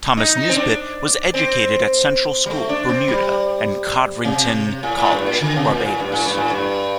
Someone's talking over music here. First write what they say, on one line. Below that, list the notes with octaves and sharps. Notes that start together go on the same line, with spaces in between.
Thomas Nisbett was educated at Central School, Bermuda, and Codrington College, Barbados.
D#4
D#4
C4
D4
C4
G3
A3
D4
C4
G3
C3
A2
A2
G2
A#2
D3
C3
A#2
A2
G2
A2
G2
A2
G2